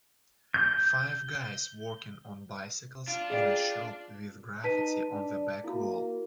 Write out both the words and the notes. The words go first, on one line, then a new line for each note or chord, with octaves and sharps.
Five guys working on bicycles in a shop with graffiti on the back wall.
G6
D4 F4
G#4 D5 G5
D#4 B4 A5 B6 D#7
D4
A#3 E4 F#4